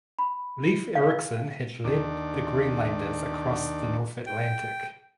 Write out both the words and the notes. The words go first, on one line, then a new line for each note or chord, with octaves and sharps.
Leif Erikson has led Greenlanders across the North Atlantic.
B5
F5
D#2 D4
G5